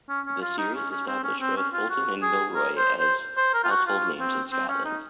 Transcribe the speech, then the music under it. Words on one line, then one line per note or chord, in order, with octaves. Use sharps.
The series established both Fulton and Milroy as household names in Scotland.
C#4
C#4
F4
D#4
C#4
C#4
C4
C#4
C4
C#4
F4
F#4
G#4
A#4
C5
C5
C5
A#4
F4
F#4
F4
C4
C4
C#4
D#4